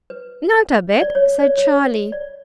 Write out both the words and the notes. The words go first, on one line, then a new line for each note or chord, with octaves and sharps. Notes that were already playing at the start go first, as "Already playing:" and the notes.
"Not a bit," said Charlie.
B4
D5
C#5
D5
C#5
C#5
D5